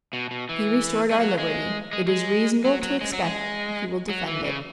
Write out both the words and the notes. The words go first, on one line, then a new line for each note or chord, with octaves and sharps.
He restored our liberty; it is reasonable to expect he will defend it.
B2
B2
E3
G#3
F#3
G#3
G#3
G#3
F#3
F#3
G#3
F#3
G#3
F#3
E3
C#3